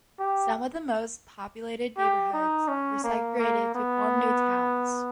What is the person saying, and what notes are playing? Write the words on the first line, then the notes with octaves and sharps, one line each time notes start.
Some of the most populated neighborhoods were segregated to form new towns.
G4
G4
D#4
C#4
A#3
A#3
B3